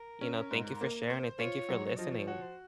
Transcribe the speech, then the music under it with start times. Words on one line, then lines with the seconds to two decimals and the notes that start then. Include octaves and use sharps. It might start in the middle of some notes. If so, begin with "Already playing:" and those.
you know, thank you for sharing it. Thank you for listening
Already playing: A#4
0.21 C#4
0.51 G#2
0.81 A#3
1.10 C5
1.39 F4 C#5
1.69 F#3
1.86 C#5
1.97 F3 D#5
2.12 C#5
2.27 F#4 C#5
2.42 C5